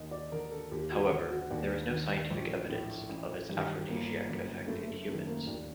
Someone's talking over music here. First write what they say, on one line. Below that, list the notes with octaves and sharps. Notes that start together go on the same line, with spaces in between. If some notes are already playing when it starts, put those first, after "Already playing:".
However, there is no scientific evidence of its aphrodisiac effects in humans.
Already playing: D#2 D#5
D5
D3 A#4
A4
D#2 G4
F#4
D3
F#4
D#2 D4
D#3
A#1
A2
A1
G2 D#3
G1 A#3
F#2 D3
F#1 A3
A3
F#2 D#3 A3
A#3
D#2 D4